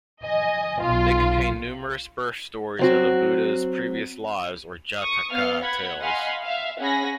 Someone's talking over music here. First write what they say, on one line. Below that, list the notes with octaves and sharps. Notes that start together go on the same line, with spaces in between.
They contain numerous birth stories of the Buddha's previous lives, or Jataka tales.
D#5 G#5
B1 F4
F#3 C4 F#4
C#6 D#6
B3 F5 F6
F#5 B5 G#6
D#5 F5 F#5 G#5 B5 C6
E5 F5
C#4 G#4 F#5 G#5 B5 A#6